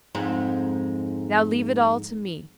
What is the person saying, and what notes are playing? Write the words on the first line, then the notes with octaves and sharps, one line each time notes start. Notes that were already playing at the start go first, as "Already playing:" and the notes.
Now leave it all to me!
F2 G#2 C4